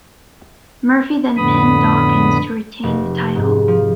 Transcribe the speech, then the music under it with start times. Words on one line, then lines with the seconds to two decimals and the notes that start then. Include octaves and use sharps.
Murphy then pinned Dawkins to retain the title.
1.37 F2 A2 D3 B3 B5 D#6
2.83 F1
3.35 G#2
3.68 F3